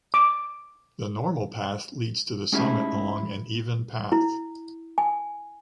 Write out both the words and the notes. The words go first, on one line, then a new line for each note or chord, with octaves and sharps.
The normal path leads to the summit along an even path.
D6
G#3 A3 C#4 D#4 E4 G4
E4
G#5